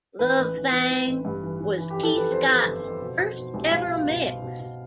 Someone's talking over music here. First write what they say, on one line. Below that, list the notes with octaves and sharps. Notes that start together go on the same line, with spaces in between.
"Love Thang" was Tee Scott's first ever mix.
E3 B4
A1
E3
E3
E3
A1
G2
E3
E3
E3
G4
F2
A4
E3 B4
F2 C5
E3
G1
F2
B2
B2
B2
C2
C2 F5
B2
B2
B2
B2
B2